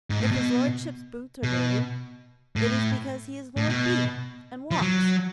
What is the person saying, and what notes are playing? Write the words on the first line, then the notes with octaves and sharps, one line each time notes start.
If his lordship's boots are dirty, it is because he is Lord B., and walks.
G#2
A2
B2
B2
A2
A2
B2
F3
F#3